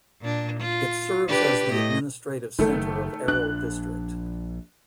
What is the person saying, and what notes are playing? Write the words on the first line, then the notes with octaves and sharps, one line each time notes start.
It serves as the administrative center of Aral District.
A#2 D4
F4
D4 G4 B4
A2 D#5
F#1 D#3 A3 A4
A#1 D4 F#6